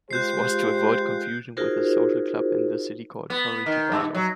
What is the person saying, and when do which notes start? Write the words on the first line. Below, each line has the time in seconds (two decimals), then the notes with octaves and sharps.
This was to avoid confusion with a social club in the city called "Coritibano".
0.11 G#3 F4 G4 C5 F#6 G6 C7
1.57 D#4 F4 F#4 G#4 A#4 C5
3.30 B3
3.66 D#3
3.92 G2
4.15 F#3